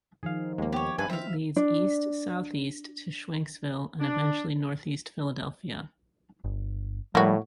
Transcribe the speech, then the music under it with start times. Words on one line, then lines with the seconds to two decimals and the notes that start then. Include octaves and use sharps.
It leads east-southeast to Schwenksville and eventually Northeast Philadelphia.
0.23 D#3 F3 G#4 F5
0.58 D#2 G#3 A#3
0.72 B3 G4 C#5
0.98 G2 D4 B4 E5 G#5
1.10 C4 E5 F5
1.56 D4 D5
4.00 D4
6.44 G1
7.15 A2 F3 G3 A#3 F#4